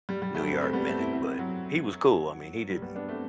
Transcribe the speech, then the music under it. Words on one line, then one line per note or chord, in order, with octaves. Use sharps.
New York minute, but he was cool, I mean, he didn't
G3
G3
F#3 A3
A3 C4
A3 C4
G3 B3
A3 C4
C4 E4
C4 E4
F#3
G3
G3 B3
B3 D4
A3 C4